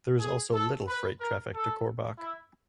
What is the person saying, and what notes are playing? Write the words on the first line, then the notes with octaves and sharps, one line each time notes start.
There is also little freight traffic to Korbach.
G#4
A4
B4
A#4
A4
E4